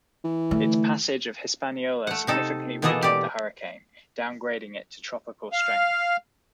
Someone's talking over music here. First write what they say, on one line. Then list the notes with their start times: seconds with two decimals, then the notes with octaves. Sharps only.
Its passage of Hispaniola significantly weakened the hurricane, downgrading it to tropical strength.
0.24 E3
0.51 D3 A3
2.07 A3 F#5
2.27 C3 D#4 A4
2.82 B2 E3 A#3 G#4 A4 D#5
3.02 G4 D5
5.52 F5